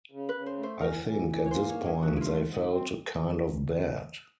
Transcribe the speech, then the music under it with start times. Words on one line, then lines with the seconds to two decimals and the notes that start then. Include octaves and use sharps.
I think at this point they felt kind of bad.
0.11 C#3
0.29 B4
0.34 C#3
0.46 C5
0.57 A3
0.63 C5
0.80 E3 A#4
1.05 E3
1.28 E3
1.46 C#5
1.51 A#3 C5
1.69 C#5
1.74 G2
1.86 G#4
1.97 G2
2.03 F#4
2.16 E4
2.20 A3 F4
2.44 G#2
2.68 C4